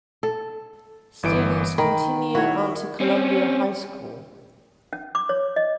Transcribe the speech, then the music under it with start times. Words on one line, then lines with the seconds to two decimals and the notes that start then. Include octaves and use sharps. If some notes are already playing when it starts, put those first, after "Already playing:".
Students continue on to Columbia High School.
0.23 A4
1.23 G1 E3 D7
1.78 D#3 B5
2.35 E4 F#4 C#5
3.00 C4 C#4
4.93 C#4
5.15 D6
5.29 C#5
5.56 D#5